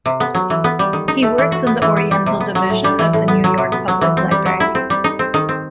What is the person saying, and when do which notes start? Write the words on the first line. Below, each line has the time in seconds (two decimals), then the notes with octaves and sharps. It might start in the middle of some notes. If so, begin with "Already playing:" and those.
He works in the Oriental Division of the New York Public Library.
0.06 C3
0.20 B3
0.35 F#3
0.50 E3
0.64 B3
0.79 G3
0.93 D#3
1.08 D#4
1.22 A3
1.38 E3
1.52 F#4
1.67 B3
1.82 E3
1.97 B3
2.11 G3
2.26 C3
2.40 B3
2.55 F#3
2.70 A2
2.84 G3
2.99 E3
3.13 A2
3.28 B3
3.44 F#3
3.58 C3
3.72 B3
3.88 F#3
4.01 E3
4.17 C4
4.31 G3
4.45 F#3
4.60 E4
4.75 C4
4.90 G3
5.04 D#4
5.19 C4
5.34 D#3
5.49 C4